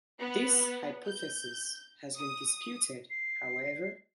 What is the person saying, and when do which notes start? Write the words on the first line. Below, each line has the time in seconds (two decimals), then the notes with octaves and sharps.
This hypothesis has been disputed, however.
0.20 B3
1.06 G6
2.18 D#6
3.10 C7